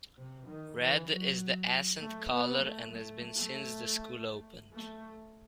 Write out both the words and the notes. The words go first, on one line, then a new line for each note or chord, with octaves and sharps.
Red is the accent color and has been since the school opened.
C3
D#3
E3
F#3
A3
B3
A3
A3
A3
A3